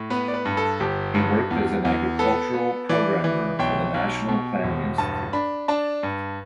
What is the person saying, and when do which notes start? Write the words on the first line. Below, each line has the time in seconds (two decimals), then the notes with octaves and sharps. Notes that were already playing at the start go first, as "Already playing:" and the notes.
He worked as an agricultural programmer for the National Planning Institute.
Already playing: A2
0.10 B3 B4
0.28 D5
0.34 B4
0.45 G2
0.57 A4
0.80 G1 G4
1.14 G2
1.50 E2
1.85 E2
2.19 B3 A4
2.54 B3
2.89 E3 D5
3.24 E3
3.59 B1 G5
3.94 B1
4.29 B2
4.64 E1
4.98 G2 A5
5.33 D4 B5
5.68 D4 A5
6.03 G2